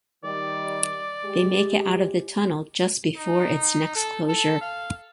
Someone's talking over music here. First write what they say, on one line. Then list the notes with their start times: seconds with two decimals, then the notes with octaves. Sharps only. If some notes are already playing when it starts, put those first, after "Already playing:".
They make it out of the tunnel just before its next closure.
0.24 D#3 G3 D5
1.24 G#3 G4
3.16 D#4
3.96 A4
4.28 A4
4.61 F5